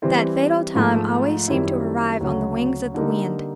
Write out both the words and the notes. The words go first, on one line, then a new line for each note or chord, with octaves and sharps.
That fatal time always seemed to arrive on the wings of the wind.
E3 G3 C4 E4
G#2 F3 A3
F#2 D#3 G3 C4 E4
D2 C#3 F#3
D3 G3 A#3 D#4